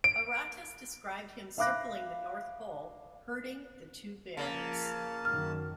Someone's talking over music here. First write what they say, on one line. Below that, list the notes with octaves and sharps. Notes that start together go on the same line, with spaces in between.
Aratus described him circling the north pole, herding the two bears.
D7
E5 F5 B5 D6 F#6 A#6
C#3 F3 A#3 A5
F#2 D#3 F#3 F6